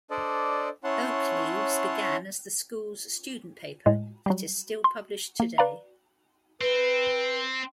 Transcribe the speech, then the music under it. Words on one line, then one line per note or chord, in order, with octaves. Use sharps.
"Oak Leaves" began as the school's student paper that is still published today.
D4 A4 C5 D5 D#5
C#4 E4 C#5 F#5 A5 C6
A2 G#3
F#3 G3
C6
A#3
B4 D5 F5 A#5
C4 B4